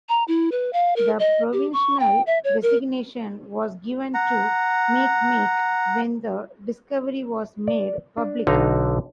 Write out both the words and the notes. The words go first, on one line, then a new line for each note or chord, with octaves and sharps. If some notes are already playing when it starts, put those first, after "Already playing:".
The provisional designation was given to Makemake when the discovery was made public.
A#5
E4
B4
F5
A#4
D#5
G4
C#6
G5
E5
C#5
A#4
F#5 A#5
D5
D4
B1 D3 D#4 A#5